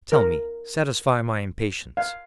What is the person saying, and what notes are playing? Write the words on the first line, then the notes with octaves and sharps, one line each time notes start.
"Tell me; satisfy my impatience."
A#4
F5